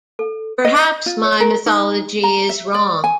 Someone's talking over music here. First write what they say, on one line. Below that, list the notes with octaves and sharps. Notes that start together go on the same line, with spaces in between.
Perhaps my mythology is wrong.
A4
D#5
F4
C#5
A#4
D#4
A#5
E5
D5
G#5